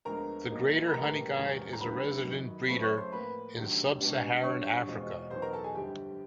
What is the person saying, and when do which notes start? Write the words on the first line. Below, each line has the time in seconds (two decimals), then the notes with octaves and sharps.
The greater honeyguide is a resident breeder in sub-Saharan Africa.
0.05 D2 D3 F3 G#3 B3 A#4 A#5
0.49 A#2 F#3 A#3 D#4
0.87 B5
0.93 A#1 A2 E3 G3 A#4 A#5
1.37 E1 E2 C#3 F3
1.73 A#5
1.81 F1 D#2 D3 F#3 B4 B5
2.24 F#2 D#3 F#3
2.68 F#2 C#3 F#3 A3 C4 B4 B5
2.82 C#5 C#6
2.98 C5 C6
3.12 A2 F3 A#3 B4 B5
3.56 F1 D#2 D3 F#3
4.00 C#2 B2 G3 B3 D4
4.43 G2 D3 G3 C#5 C#6
4.87 E2 B2 G#3 C4 F4
5.30 E2 B2 F#3 B3 D#4 C5 C6
5.42 A#4 A#5
5.53 A4 A5
5.64 G#4 G#5
5.74 G1 F2 D3 G3 G4 G5